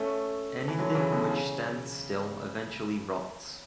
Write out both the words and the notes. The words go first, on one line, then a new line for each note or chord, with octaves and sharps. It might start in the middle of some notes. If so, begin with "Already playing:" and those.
Anything which stands still eventually rots.
Already playing: A3 C#4
E3
D3 F#3
C#3 E3
B2 D3
C#3